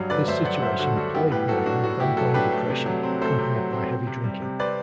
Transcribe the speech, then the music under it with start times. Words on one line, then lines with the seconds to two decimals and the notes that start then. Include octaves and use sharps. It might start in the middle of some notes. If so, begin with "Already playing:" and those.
This situation plagued Nevin with ongoing depression, accompanied by heavy drinking.
Already playing: G2 F#3
0.10 D3 B4 D5
0.28 G2 C5 E5
0.45 F#3 D5 F#5
0.56 F#5
0.62 G2 C5 E5
0.79 D3 F#4 A4
0.96 G2 F#4 A4
1.14 B3 E4 G4
1.31 A2 G4 B4
1.48 F#3 F#4 A4
1.66 D4 F#4
1.83 B3 F#4
2.00 A2 E4 G4
2.17 F#3 F#4 A4
2.34 D4 G4 B4
2.52 A3
2.70 C3
2.86 F#3
3.03 C4
3.21 A3 A4 C5
3.38 C3
3.56 F#3
3.72 C4
3.90 C4
4.07 C3
4.24 G3
4.42 C3
4.60 C4 B4 D5